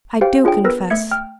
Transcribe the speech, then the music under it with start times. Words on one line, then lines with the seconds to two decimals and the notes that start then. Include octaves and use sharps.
I do confess.
0.21 G4 C5 F5 G5
0.44 D4 F4 G#4 C#5 G5
0.64 B3 A#4 B4 E6 A#6
0.90 A3 E5 G#6 C#7
1.11 G5 F6